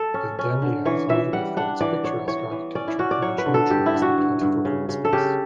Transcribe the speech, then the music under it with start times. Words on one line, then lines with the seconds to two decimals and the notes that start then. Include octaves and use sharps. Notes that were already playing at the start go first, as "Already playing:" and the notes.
Lindenlea is notable for its picturesque architecture, mature trees, and plentiful green space.
Already playing: A4
0.14 C#4
0.39 C#4
0.62 D3
0.85 E3 C#5
1.09 E3 E5
1.33 G3 F#5
1.57 D4 F#5
1.80 E3 D5
2.04 B3 C#5
2.28 E3 C#5
2.51 E3
2.75 C#4 D5
2.88 E4
2.99 C#4 F#4
3.11 D5
3.22 F#3 C#5
3.38 B4
3.46 D3
3.54 A4
3.70 G2 G4
3.86 E4
3.94 D3
4.02 F#4
4.18 G2
4.41 G2
4.65 C#3
4.89 C#3
5.05 A4
5.12 C#3 G4